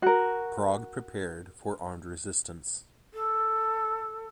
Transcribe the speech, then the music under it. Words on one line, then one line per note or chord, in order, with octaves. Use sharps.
Prague prepared for armed resistance.
F#4 A#4
A4